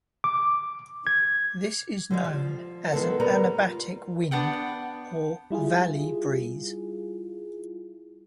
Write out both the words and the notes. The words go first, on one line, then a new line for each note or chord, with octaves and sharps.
This is known as an anabatic wind or valley breeze.
D6
G#6
D3 G3 G#3
F3
D#3 G#3 B3 A4
D2 G3 B3 A#4 A#5
F4
B3 D4 F#5 G5
G3 E4 F4 G#4